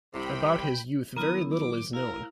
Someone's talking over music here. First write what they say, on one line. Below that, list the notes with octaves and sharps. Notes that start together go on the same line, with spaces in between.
About his youth very little is known.
C2 C3 G5 B5
D#3 F#3 B3 E4 A#4 D#6
D6
E4 A#4 F5